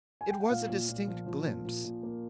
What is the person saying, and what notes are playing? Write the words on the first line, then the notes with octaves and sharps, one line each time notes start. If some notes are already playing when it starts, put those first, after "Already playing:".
It was a distinct glimpse.
G#5
G5
F#5
A#2 F5
A#2
A#2
F3
F3
A#2
A#2
A#2
A#3